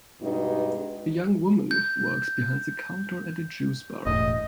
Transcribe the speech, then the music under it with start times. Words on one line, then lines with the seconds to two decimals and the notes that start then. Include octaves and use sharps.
A young woman works behind the counter at a juice bar.
0.22 G2 B2 G#3 D#4
1.71 G6
4.06 E1 A2 D#5